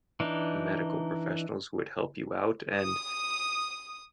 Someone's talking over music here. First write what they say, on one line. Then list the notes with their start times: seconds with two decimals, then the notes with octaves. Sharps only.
medical professionals who would help you out, and
0.20 E3 D4 D#4
2.79 D#6